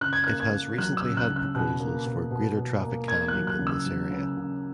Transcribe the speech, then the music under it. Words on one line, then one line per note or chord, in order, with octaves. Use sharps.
It has recently had proposals for greater traffic calming in this area.
C#3 F#6
G#6
A#3 F#6
G#6
A#3
F#3 F#6
E6
C#3
F#6
C#3
F#6
B2 F#6
A#3
B2
B2
B2
A#3
A#3 G#6
F#6
F#3
F#6
C#3
E6
F#3
C#3
C#3